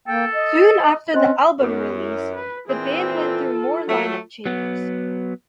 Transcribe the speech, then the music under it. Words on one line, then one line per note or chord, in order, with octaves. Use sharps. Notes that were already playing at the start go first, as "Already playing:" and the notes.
Soon after the album release, the band went through more lineup changes.
A#3 A4 G5
D#5
C4 C#4 C5 D#5 C6
F#2 B3 D#4
E4
B4
A#2 E3 C4 G#4
F4 A4
F#3 A3
F#3 B3